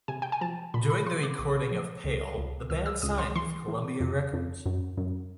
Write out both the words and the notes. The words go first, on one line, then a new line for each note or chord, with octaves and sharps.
During the recording of "Pale", the band signed with Columbia Records.
C3 G#5
G5
G#5
F3 A5
A#2 B5
B5
F3 C6
D6
B1 D6
F3
C#2
C#2
C#2 E6
E6
C#2 D#6
C6
E3 C6
E3
F2
F2
F#2
F#2